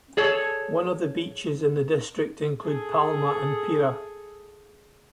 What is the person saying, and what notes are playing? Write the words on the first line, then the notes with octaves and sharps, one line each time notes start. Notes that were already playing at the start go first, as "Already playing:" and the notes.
One of the beaches in the district include Palma and Pira.
G#4 A4 C#5
G#4 A4